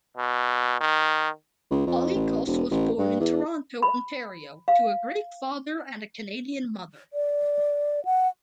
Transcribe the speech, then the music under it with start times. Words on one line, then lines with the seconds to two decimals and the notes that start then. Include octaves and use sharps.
Colicos was born in Toronto, Ontario, to a Greek father and a Canadian mother.
0.17 B2
0.80 D#3
1.70 C#2
1.87 F2
2.15 A1
2.46 E1
2.71 A1
2.98 G2
3.20 E2
3.82 B5
4.68 F5
7.13 D5
8.05 F#5